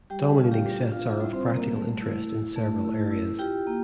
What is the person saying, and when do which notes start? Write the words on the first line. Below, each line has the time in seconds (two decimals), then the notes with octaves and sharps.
Dominating sets are of practical interest in several areas.
0.10 G3 G4 G5
0.38 F4
0.45 F5
0.52 G4 G5
0.65 D4
0.92 F4 F5
1.13 E4 E5
1.20 G3
1.33 C4 C5
1.47 G3
1.54 A#3 A#4
1.75 A3
2.02 E4
2.29 E4
2.56 A3
2.84 E4
3.11 E4
3.39 F4 G4 G5
3.67 A#3